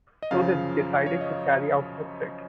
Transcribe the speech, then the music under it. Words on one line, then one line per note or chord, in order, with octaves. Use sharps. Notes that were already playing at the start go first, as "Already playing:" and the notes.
So they decided to carry out the threat.
D#5
F#2 C#3 F3 F5
C#5
D#5
C#5